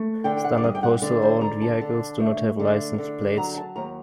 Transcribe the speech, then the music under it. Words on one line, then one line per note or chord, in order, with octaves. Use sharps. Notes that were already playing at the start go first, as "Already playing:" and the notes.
Standard postal-owned vehicles do not have license plates.
Already playing: A3
D3 G5
G5
F#5
D5
G2 D#5
G5
F#5
D3 D#5
C5
D3 A#5
A5
D3
A3
D3
D3
F#3 A#5
A5
D#2 A#5